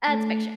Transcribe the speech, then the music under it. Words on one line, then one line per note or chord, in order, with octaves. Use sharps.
Uh it's fiction.
A3